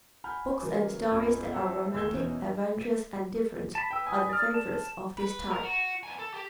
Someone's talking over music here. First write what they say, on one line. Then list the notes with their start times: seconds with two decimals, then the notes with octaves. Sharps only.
Books and stories that are romantic, adventurous, and different are the favorites of this type.
0.24 F#5 G#5 B5 F6 G6
0.61 C#3 E3 F#3 A#3
1.11 B1 F#2 F4 B5 G#6
1.51 C4 A4 C#5 E5 F#5 G5
1.94 D#2 E6 G6 G#6 G7
2.12 E2 B2 E3 C#4 D#4
3.75 A5 B5
3.90 B4 G5 E6
4.06 G#5 D#6
4.29 D5 D#6 F6
4.54 A5
5.18 B4
5.51 A#4
5.63 F#4
6.03 B3 G#5
6.19 A4
6.34 G4